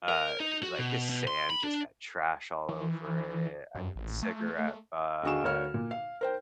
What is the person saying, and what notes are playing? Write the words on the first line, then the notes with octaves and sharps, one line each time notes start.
uh, like, this sand just had trash all over it, I mean, cigarette butt
A#4
D#4
F#4
B2
B2
C6
B5
D4
E3
F#2
A1
A3
D2 D4 F#4 G#4 E7
D2 A#4 C#5 F5 F6
A#2
F5
A#4 C5 G5